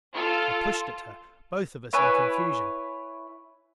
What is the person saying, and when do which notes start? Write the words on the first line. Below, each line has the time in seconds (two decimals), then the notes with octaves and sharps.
I pushed at her, both of us in confusion.
0.14 F4 A4
1.93 E4 B4 C#5 G#5